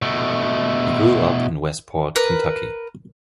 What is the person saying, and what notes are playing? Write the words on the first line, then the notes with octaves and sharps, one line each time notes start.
He grew up in Westport, Kentucky.
B2 A3
A#4 B4